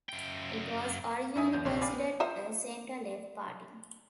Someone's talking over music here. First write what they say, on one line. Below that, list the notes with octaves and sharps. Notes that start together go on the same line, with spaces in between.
It was originally considered a centre-left party.
F#2 G5
F#2 D#4 E5 G#5 D#6
E2 G6
A#1 C3 C4 C#5 C6
D5 F5 G5 G#5 B5 D6
B3
F4 C5 E5